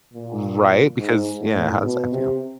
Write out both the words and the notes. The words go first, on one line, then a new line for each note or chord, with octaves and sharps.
Right, because yeah, how does that feel?
A#2
G#2
A2
B2
C3